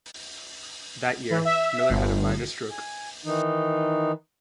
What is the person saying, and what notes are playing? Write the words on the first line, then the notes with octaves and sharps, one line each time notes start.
That year, Miller had a minor stroke.
E3
E5
G1
G#5
D#3 E3 D#4